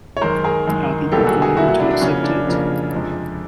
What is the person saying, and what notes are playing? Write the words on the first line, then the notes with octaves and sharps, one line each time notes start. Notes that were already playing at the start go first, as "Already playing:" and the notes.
Are people going to accept it?
C#5
F#2 D#3 G#3 A#4 C5
G#4 A#4
F#2 D#3 G#3
C2 B2 F#3 A#3 G4 A4
F#4 G#4
F#4 G#4
C2 B2 F#3 A#3 E4 F#4
E4 F#4
D4 E4
D4
F2 C#3 F3 A#3 C#4
D4
F2 C#3 F3 A#3
F2 C3 F3 G#3